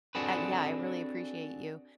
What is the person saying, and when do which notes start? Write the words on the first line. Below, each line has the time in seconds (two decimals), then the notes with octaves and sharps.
uh, yeah, I really appreciate you,
0.15 C4 D4 F#4 G#4 A4 B4